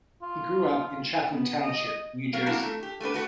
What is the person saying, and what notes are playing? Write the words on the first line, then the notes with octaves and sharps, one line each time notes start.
He grew up in Chatham Township, New Jersey.
F4
B3
D#5
F#3 A#4 F5
A#3 C4 D4 E4 F#4
A3
G4
A3 B3 D4 B4
A3 F#4